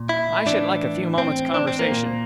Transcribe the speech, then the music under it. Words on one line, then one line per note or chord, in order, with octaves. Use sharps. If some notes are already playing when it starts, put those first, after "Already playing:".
"I should like a few moments' conversation."
Already playing: A#2
E4
A2 E3 D4
C4
D4
C4
A#3
A#2